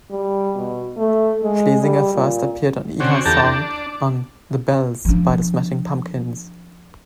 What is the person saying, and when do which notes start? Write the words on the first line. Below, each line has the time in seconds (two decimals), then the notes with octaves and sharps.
Schlesinger first appeared on Iha's song on "The Bells" by The Smashing Pumpkins.
0.10 G3
0.55 B2
0.97 A3
1.43 G#3
1.82 G3
2.14 A#2
3.00 D3 C4 C#4 F#4
3.25 E2 G4 A4 A5 A#5
3.43 D4
5.05 F3 D4